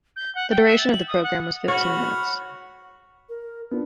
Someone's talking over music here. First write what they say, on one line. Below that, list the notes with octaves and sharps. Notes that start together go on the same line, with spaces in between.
The duration of the programme was fifteen minutes.
G6
F#5
G5
E5
A6
F#7
D#6
F#5
F#4 C#5 F#5 B5 F6
A#4
B3 D4 F4